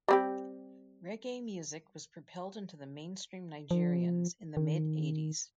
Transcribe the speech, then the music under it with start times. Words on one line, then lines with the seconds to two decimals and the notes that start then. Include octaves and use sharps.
Reggae music was propelled into the mainstream Nigerians in the mid eighties.
0.08 G3 C4 G4
3.71 F3
4.57 D#3